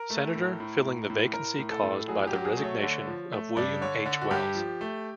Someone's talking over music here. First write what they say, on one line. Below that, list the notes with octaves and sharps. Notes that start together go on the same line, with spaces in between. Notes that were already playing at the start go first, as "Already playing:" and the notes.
Senator, filling the vacancy caused by the resignation of William H. Wells.
Already playing: A#4
A3
A2
A2
A2
A2
A2 A#4
A2
A4
A2
F#3 G#4
G4
F#3
G#4
A3
C#5
D3
F3
A3
G2 D5
D3 C#5
D3
F#4
G2 G4
F3
A3